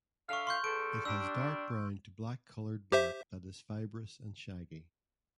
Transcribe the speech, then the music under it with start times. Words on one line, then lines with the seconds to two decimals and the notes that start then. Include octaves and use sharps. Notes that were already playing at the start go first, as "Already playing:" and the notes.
It has dark brown to black coloured bark that is fibrous and shaggy.
0.29 D3 E5 F5 C#6 F6
0.47 C6 C#6 G6
0.64 E2 A4 D7
1.05 G3 D4 E6
2.92 G4 C5 E5